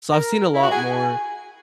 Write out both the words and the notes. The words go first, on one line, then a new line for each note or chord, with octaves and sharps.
so I've seen a lot more,
A#4
E4
F#4
G#4 G#5